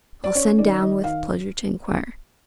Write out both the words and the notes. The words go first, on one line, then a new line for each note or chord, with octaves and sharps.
I'll send down with pleasure to enquire.'
D5
C#4 C#5
D#3 D5
D#3 D#5
D#3 F5